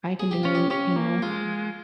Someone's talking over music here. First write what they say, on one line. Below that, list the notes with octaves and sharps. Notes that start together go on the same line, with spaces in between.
"I can do it," you know?
G#4
G4
C#4 F4
G4
C#4 G4
A#3
G#3 F4